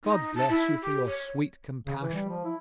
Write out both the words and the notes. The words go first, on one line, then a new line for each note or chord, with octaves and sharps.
"God bless you for your sweet compassion!"
D#4
A5
E4
G4
C#5
C#3
E3
G3
F3
E4